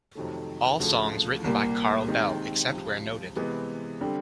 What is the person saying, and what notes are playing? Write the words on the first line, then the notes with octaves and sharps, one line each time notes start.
All songs written by Carl Bell except where noted.
F2 C3 D#3 F#3 A3
D2 C#3 F3 A3
C2 A#2 G3 A#3
C3 D#3 G#3 C4
C#2 C3 F3
C3 E3 G#3 B3
D3 G3 C4